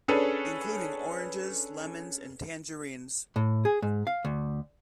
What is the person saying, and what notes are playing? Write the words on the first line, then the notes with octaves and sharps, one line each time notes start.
Including oranges, lemons, and tangerines.
C#4 D4 G#4 A4 B4 C#5
A2
G#4
G#2
F5
D2